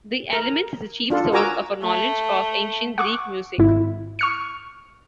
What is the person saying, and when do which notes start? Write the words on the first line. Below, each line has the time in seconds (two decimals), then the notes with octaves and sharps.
The "Elements" is the chief source of our knowledge of ancient Greek music.
0.32 A#4 A#5
1.10 D4 F4 A4
1.32 F#4 A#4 G#5 A#5 D6 E6
1.82 A3
2.98 F#5 C#6 D6
3.58 G#1 E4
4.19 C#6 F6 C#7